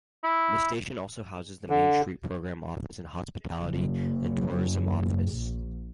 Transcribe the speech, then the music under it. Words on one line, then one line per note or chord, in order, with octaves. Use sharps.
The station also houses the Main Street Program Office and Hospitality and Tourism Office.
E4
D3
F#1
A#1